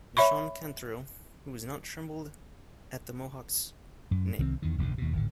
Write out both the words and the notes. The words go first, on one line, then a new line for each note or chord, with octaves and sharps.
Meshon Cantrill, Who has not trembled at the Mohocks' name?
C#5 E5 B5 C#6
F#2
C2 D#3 A3 C4
E2 D#3
F1 A#1 D#2 D3
D#2 B2
D1 G#1 D3